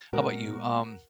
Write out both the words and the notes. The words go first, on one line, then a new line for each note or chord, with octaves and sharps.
how 'bout you, um,
A#2 G#3 B3 F#4 A#4